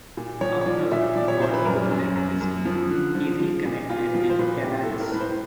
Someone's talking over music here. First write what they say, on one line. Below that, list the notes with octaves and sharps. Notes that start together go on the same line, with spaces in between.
After Guarnido left Disney, he reconnected with Canales.
A#2
F3 C#5
C#5
F3 D5
A#2 E5
F3 D5
C#5
A#2 C5
B4
F#2 A#4
F#2
F#2
F#2
F3
D3
F3
F3
A#2
A#2 F4
F3 F4
C5
A#2 B4
A2 G4
A4
A2
A#4
A2 B4
C5